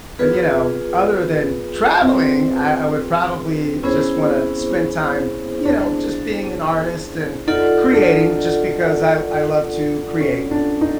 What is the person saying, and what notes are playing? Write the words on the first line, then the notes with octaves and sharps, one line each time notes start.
you know other than traveling, I I would probably just wanna spend time, you know, just being an artist and creating just because I I love to create.
B3 F4 G#4 B4
C4
B3 C#4 E4 G#4 C5
D4
D#4 F4 A4 D5 F#5
D4
C#4
D4
D#4